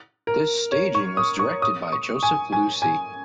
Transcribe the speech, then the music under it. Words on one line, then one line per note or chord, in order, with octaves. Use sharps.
This staging was directed by Joseph Losey.
A#4
C#5
C#6
D#6
C#6
D#6
C#6
G#5
G#5
G#5